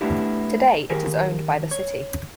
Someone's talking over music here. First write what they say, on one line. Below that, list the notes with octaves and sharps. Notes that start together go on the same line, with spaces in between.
Today it is owned by the city.
A3 B3 D4 E4 G4
D#3 G4 G#4 A#4
C#5